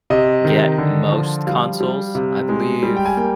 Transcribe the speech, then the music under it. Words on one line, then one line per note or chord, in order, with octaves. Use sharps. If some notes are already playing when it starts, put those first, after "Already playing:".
get most consoles, I believe,
C3 D#5
D#3
D3
F3
G3 F5
G3
C3
G#3
G3
G5
G#5
A#3 G5